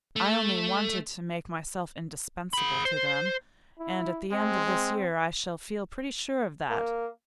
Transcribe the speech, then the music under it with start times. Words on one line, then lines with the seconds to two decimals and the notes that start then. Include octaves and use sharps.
'I only wanted to make myself indispensable to them, and at the end of this year I shall feel pretty sure of that.
0.16 A3
2.53 G#4 B5
2.85 C5
3.79 E4
4.32 G#3 C4
4.65 C4
6.70 A#3